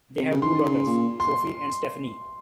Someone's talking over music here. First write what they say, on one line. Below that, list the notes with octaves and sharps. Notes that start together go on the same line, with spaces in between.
They have two daughters, Sophie and Stephanie.
C3
C#3
D#3 C6
C#3
A#2
C6